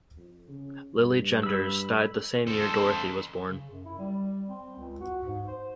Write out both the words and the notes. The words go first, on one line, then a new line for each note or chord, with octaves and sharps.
Lilly Genders died the same year Dorothy was born.
F2
C#3
G2
B5 E6
A4 C5
C#3
F#2
E4
G3
C4
C#2
F#4
G#2
C5